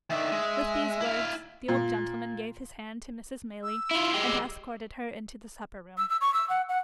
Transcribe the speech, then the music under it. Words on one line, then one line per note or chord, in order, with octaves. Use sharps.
With these words, the old gentleman gave his hand to Mrs. Maylie, and escorted her into the supper-room.
D3 D#3 E5
G#3
E4 F5
A#2
E6
E4 F4
G#3 G4
E6
E6
C#6
E6
F#5
F#5